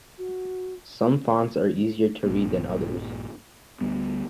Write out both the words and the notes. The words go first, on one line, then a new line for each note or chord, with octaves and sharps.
Some fonts are easier to read than others.
F#4
A#1 G2 A#3
D2 G3 B3